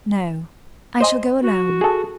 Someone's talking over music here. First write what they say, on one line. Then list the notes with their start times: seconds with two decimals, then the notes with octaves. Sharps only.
"No; I shall go alone."
1.01 C5 D#5 G#5
1.42 F#4
1.81 G#4 A4